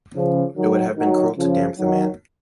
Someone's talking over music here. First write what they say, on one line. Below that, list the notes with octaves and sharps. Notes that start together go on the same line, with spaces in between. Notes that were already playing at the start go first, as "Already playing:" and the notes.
It would have been cruel to damp the man.
C#3 F3
D#3 F#3
D#3 F#3
C#3 F3
D#3 F#3